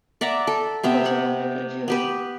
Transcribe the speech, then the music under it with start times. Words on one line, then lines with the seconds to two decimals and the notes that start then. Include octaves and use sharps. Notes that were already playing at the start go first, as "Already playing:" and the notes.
Also one daughter, Giovani.
0.21 D5 E5 F#5 A#5
0.47 A4
0.83 C3 B3 C4 E5
1.06 F#5
1.88 B3 G4 B4